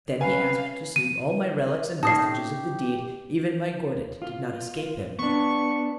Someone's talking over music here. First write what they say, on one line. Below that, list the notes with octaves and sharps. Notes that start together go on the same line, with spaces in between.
Then he asked to see all my relics and vestiges of the deed; even my gordit did not escape him.
C#4 B4 F5 G#5
D#7
A2 C#4 D#4 G4 A5 D#6 C7
F4
B3 D4 C#6